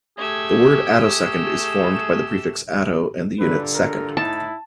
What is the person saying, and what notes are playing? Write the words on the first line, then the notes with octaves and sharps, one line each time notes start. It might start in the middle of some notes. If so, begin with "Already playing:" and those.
The word "attosecond" is formed by the prefix "atto" and the unit "second".
A3 G4 G#4 E6 G#6
A3 E7
G2 A#2 D3 B4
A#4
A2 D#4 E4 A5